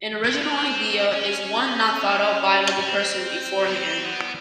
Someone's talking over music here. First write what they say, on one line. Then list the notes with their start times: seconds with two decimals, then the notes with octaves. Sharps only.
An original idea is one not thought up by another person beforehand.
0.25 C4
0.33 B3
0.41 C4
1.12 C#4
2.78 C#4
2.88 C4
3.68 B3
3.75 C4
4.05 B3